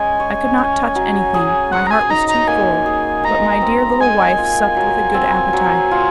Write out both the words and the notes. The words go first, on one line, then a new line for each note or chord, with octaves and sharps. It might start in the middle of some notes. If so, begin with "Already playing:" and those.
I could not touch anything, my heart was too full, but my dear little wife supped with a good appetite.
Already playing: G#3 C#4 G#4 G#5
C#5
C#4
F#3
G#4
C5 F#5
A#5
G#5
D#4 A#5
A#5
A#3 G#5
G#4
G#3 A#5
C4
G#3 G#5
F4
F#3
C4
F#3
F4